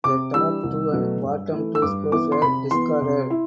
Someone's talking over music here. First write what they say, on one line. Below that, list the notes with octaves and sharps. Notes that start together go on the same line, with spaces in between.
The top two and bottom two scores were discarded.
C3 D6
E3 G3 D4 E6
C2
B2 F#3 A3
G2
E3 A3 E4
E6
G2 D6
E3 B3 E4 D6
C6
C3 B5
E3 B3 C6
C3
E4